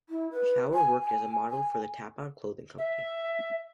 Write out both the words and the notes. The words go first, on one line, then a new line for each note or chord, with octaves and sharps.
Shower worked as a model for the Tapout clothing company.
E4
B4
G#5
G#5
G#5
E5